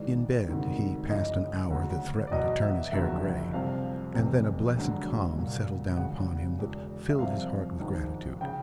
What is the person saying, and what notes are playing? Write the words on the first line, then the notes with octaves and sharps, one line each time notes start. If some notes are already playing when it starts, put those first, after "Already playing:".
In bed he passed an hour that threatened to turn his hair gray, and then a blessed calm settled down upon him that filled his heart with gratitude.
Already playing: G#1 G#2 E3 D5
E1 D2 C3 D#3
F#1 F#2 C#3 E3 D#5
D2 C#3 F#3
D5
E2 B2 F#3 D#5
E5
F#1 F2 D3 F#3 E5
C2 C3 F3 F5
F1 E2 C3
E1 D2 D3 F#3
C2 A#2 F#3
E1 D2 C#3 F#5
E1 E2 C#3
E5
C2 C3 F3 F5
G#1 G#2 F3
C#3 G5